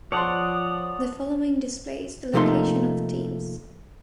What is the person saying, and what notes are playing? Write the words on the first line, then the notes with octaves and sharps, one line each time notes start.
The following displays the location of teams.
F3 C#5 D5 F#5 A5 C6 D#6
C3 F3 A3 A#3 D#4 C6